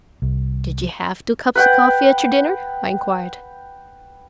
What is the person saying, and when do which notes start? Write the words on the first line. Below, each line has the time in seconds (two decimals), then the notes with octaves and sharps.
"Did you have two cups of coffee at your dinner?" I inquired.
0.22 C2
1.55 B4 F#5 G5